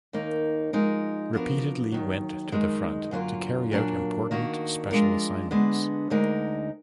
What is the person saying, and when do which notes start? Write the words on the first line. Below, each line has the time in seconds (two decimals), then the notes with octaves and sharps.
Repeatedly went to the front to carry out important special assignments.
0.13 D#2 D#3 A#3 D#4
0.73 F3 G#3 D#4 A#4
1.33 F3 B3 D4 F#4 A#4
1.92 D#2 D#3 F#3
2.52 F#2 D#3 G#3 D#4
3.11 F#2 D3 F#3 A#3 F4
3.72 A#2 F#3 A#3 D4
4.31 D#3 A#3 D4 F#4
4.91 F3 G#3 D4 F4 A#4
5.51 D3 G#3 B3 D4
6.10 D2 D3 G#3 D#4 A#4